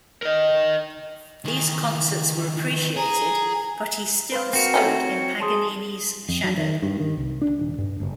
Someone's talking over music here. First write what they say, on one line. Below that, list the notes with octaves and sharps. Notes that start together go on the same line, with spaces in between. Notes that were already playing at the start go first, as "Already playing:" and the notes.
These concerts were appreciated, but he still stood in Paganini's shadow.
A#4 D#5
D#3 E3
B4
G#4 A#5
B4 C5 F5
C4 F#4 A#4
A3 C#4 D#4 C#5 G5
G#4 A5 C6 D#6
F2
F#3
D#3
G2
D#3
C2
D4
D#1
G2
F#1